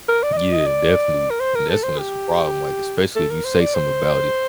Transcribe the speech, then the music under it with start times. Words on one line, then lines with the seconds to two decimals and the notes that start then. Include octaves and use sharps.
Yeah, definitely, and that's when it's a problem, like, especially if you say something about it,
0.08 A#4
0.23 D5
0.33 D#5
0.37 D5
0.52 D#5
0.66 D5
1.30 A#4
1.40 C5
1.55 A#4
1.69 A4
1.83 C5
1.99 G4
3.16 A4
3.31 A#4
3.45 C5
3.60 D5
3.74 C5